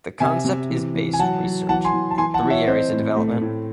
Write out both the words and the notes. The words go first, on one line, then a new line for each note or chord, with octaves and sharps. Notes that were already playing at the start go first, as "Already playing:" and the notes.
The concept is based research in three areas of development.
C3 E5 G#5
C3
E3
E3
G#5
F#3 F#5 A5
F#3
E3 F#5 A5
G#5 C6
E3
A5
E3 G#5 C6
F#5 A5
E3
C#5 E5
C4 C5 D#5
A2
A3
A2